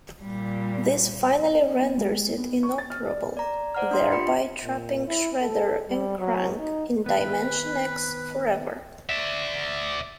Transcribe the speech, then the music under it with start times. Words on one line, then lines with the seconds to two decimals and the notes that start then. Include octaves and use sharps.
This finally renders it inoperable, thereby trapping Shredder and Krang in Dimension X forever.
0.22 A#2 G3
1.82 B3
1.98 G#3
2.38 B3
2.63 C#6
2.78 A6
2.90 F6
3.08 D5
3.37 D5 A#5
3.75 C5 D5 F#5 A#5 F6
3.91 D4 C6
4.12 F4 G4 B5 C#7
4.62 A#2
5.07 E4
5.41 A4
5.89 G3
6.19 F#3
6.58 D#4
7.06 D#3 B3 B4
9.09 D5 E5